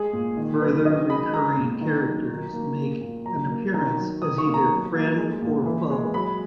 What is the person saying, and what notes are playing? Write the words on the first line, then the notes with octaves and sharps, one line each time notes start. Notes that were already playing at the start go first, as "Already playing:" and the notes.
Further recurring characters make an appearance as either friend or foe.
Already playing: G#3 G#4
A#2
D#3
F#3 B4
D#3 D#5
G#3 B5
G#3 A#5
A#2
D#3
F#3
D#3
A#3
A#3
A#2
F#3 A#5
A#3
D#3 A#5
F#3
D#3 D#6
C#6
A#3
A#5
F#3
A#3
G#3
A#2
E3
G#3
F#3 B5